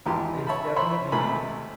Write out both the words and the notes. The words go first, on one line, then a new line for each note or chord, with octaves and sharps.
it's definitely
G#1 E2 G4 G#5 C6
C#5 E5 A5 B5
C5 C#5 E5 B5 C6
G#1 C3 A3 G#5 B5